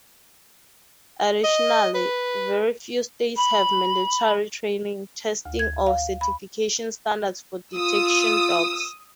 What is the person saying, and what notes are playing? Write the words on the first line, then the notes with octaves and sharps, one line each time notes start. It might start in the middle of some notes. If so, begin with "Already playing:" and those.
Additionally, very few states have mandatory training, testing, or certification standards for detection dogs.
D#5
B4
B5
D2
G#6
F5
B5
F4 D#6 E6